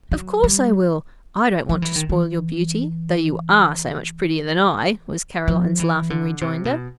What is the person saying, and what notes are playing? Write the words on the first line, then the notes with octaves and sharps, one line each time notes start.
"Of course I will; I don't want to spoil your beauty, though you are so much prettier than I," was Caroline's laughing rejoinder.
F#3
G3
F3
E3
D#3
E3
F3
E3
D3
C3
B2